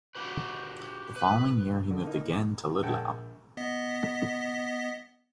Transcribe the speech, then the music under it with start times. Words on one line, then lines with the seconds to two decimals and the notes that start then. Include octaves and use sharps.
The following year he moved again to Ludlow.
0.15 F#4 G4 B4
1.16 B4
1.91 D3
2.04 A#3 D#4
2.82 A#1 G#3 F#5 G5 A5
3.57 B3 D#5 B6